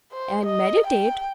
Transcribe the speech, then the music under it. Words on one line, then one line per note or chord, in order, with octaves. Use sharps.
'And meditate?
C5
D#5
G5